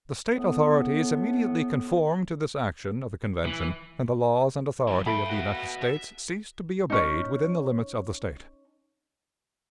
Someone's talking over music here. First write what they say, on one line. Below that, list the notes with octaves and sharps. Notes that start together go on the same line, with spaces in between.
The State authorities immediately conformed to this action of the Convention, and the laws and authority of the United States ceased to be obeyed within the limits of the State.
A2 B3
E3
F3 E4
A3 F5 G5 B5
F#4 B4
E5
C#4 D#4